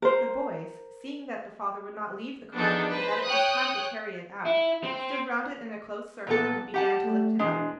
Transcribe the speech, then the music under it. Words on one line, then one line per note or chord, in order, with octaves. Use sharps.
The boys, seeing that the father would not leave the coffin and that it was time to carry it out, stood round it in a close circle and began to lift it up.
A#4 C5
F3 B3 D4 D#4 G#4 A4
B4 C5
C#5 G5 D#6 F#6
E4
C4
A#2 B3 A4
G4 F#5 A5
A3
E1 G#3 D4